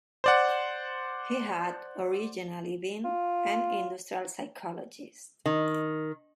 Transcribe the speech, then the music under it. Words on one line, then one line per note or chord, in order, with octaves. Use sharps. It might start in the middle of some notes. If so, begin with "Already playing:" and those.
He had originally been an industrial psychologist.
C5 D5 F#5
F4
D#3